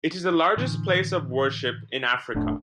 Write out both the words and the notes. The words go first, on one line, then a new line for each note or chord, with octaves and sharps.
It is the largest place of worship in Africa.
A2 D3 E3
F1 A2 D4